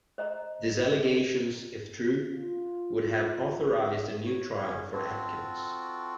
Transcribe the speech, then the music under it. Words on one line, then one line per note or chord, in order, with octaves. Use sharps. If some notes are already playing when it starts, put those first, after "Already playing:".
These allegations, if true, would have authorized a new trial for Atkins.
C5 D#5 A#5
F4
C#5
B3 C#4 C#5
C4 F4 F#4 A4